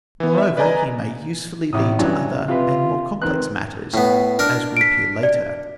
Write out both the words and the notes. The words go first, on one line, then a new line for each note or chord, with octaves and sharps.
Moreover, he may usefully lead to other and more complex matters, as will appear later.
E3 B3
E5
B4 D5 D#5 G#5 A#5
A1 A2 D#6
G2 E3 F#3 C#4
C3 F4 B4
D#3 E3 C4 F#6
A2 B3
D4 A#4
B6 D7
D5